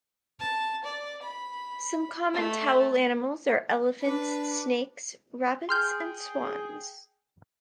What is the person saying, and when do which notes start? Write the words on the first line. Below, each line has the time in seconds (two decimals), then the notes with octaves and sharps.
Some common towel animals are elephants, snakes, rabbits and swans.
0.40 A5
0.84 D5
1.22 B5
2.34 A3
4.01 D4 B4 B5
5.69 G#4 G5 C6 F6 G6